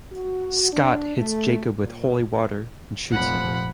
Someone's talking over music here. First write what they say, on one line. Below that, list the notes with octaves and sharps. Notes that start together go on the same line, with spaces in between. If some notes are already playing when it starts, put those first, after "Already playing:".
Scott hits Jacob with holy water and shoots him.
F#4
D4
A3
A#2
F1 A#1 F3 F#5 B5